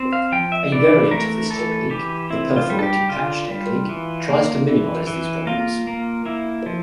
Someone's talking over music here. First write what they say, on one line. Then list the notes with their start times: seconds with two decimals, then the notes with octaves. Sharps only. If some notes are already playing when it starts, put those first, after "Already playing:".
A variant of this technique, the "perforated patch" technique, tries to minimise these problems.
Already playing: C4
0.13 F5
0.32 F3 G5
0.52 E5
0.72 E3 D5
1.11 A3 A#4
1.51 E3 A4
1.90 E3 G4
2.30 C4 E4
2.56 F4
2.70 G3
2.79 A4
2.83 G4
3.09 D3 F4
3.49 G3
3.89 E3
4.28 A#3
4.68 E3
5.07 E3
5.47 A#3 F4
5.87 A#3
6.25 A#3 E4
6.66 F3